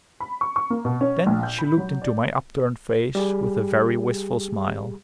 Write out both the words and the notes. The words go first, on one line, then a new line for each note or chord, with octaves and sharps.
Then she looked into my upturned face with a very wistful smile.
B5
C#6
C#6
A#3
B2
C#4
A#1
G6
B5
F#3
D5
G3 G4 G#4